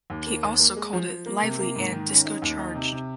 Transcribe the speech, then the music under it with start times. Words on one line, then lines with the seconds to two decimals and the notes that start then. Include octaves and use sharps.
He also called it "lively" and "disco charged".
0.10 D#2
0.26 A#3
0.43 D#2
0.59 A#3
0.77 G#3
0.93 F3
1.09 F3
1.26 A#3
1.43 C3
1.59 A#3
1.76 G#2
1.92 D#3
2.09 C#4
2.25 D#4
2.42 D#2
2.59 D#4
2.75 C3
2.92 C3